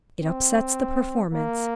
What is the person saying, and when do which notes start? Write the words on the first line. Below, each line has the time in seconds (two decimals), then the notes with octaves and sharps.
It upsets the performance.'
0.23 C4
1.34 A#3